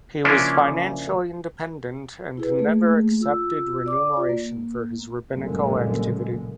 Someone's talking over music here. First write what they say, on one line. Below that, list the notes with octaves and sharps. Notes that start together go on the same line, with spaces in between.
He was financially independent, and never accepted remuneration for his rabbinical activity.
C#3 F3 A#3 C#4 D4 E4
E4 G#4 B4
A3 A#3 G#4
F4 E6
D5 D6
F4 D5
A#3
F#1 C2 G2 A#2 D3 G#3